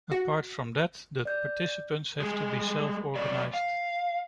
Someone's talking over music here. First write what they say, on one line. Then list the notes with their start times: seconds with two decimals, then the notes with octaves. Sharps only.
Apart from that, the participants have to be self organized.
0.11 F#4
1.25 D5 G6
2.20 G3 G#3 G#4
3.16 F#3 A3 A#3 C#5 D5
3.54 F5